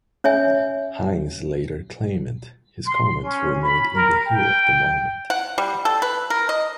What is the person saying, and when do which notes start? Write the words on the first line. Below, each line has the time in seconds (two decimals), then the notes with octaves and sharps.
Heinze later claimed his comments were made in the heat of the moment.
0.24 C#4 C#5 E5 G#5
2.86 C6
3.23 C#4
3.63 B5
3.95 A#4
4.26 G5
5.30 F#5
5.58 G3
5.85 A4
6.02 B4
6.30 A#4
6.49 D#5